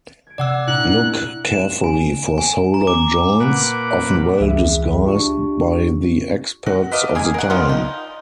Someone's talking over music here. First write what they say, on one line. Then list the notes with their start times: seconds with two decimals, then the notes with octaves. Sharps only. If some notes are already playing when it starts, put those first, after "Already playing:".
Look carefully for soldered joints, often well-disguised by the experts of the time.
0.27 G#6 D7
0.38 C3 D5 F#5 E6
0.68 A#2 D4 E4 F#6
1.45 E7
1.84 G#5
2.38 G#5
2.74 A#5
2.87 D6
3.40 A#2 B4 F#5 D6
4.40 C#2 E3 G#4 E5
5.06 D4 F4 G4 C#6
6.66 F#4
6.92 B4 D5 D#5 F5
7.15 G#4 A#4 G#5
7.34 A#4 F#5
7.50 D#3 F3 G3 F4
7.69 D#4